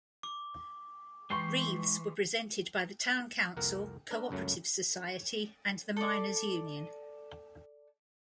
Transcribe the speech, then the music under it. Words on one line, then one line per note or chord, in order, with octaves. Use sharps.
Wreaths were presented by the town council, co-operative society and the miners' union.
D6
E3 G#3 G5 C6 C#6 C7
C2 F2 A#3 A#4 F#5
D4 A#4 B4
C#2 F#2 F#3 A3
A4 D5